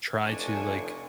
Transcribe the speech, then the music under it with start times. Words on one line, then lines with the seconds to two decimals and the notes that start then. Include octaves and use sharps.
try to, like,
0.24 F1 E3 D4 G#5 C#6